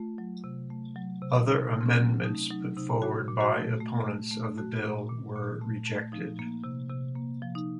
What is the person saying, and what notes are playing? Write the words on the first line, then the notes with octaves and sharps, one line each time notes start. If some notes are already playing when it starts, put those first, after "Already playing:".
Other amendments put forward by opponents of the bill were rejected.
Already playing: A3 F4
F#3
C3
A3
F#3
C3
C3 D#4
A3
C4
C#4
F#3
A3 D#4
F#3 D#4
C3 D#4
A#2 F#4
A#2
F#4
A3
A3
A3
A3
A3 F#4
A#2
A#2
A#2
A3
A3
F3 D#4
A#3
C3
C3
A#3
F3
D#4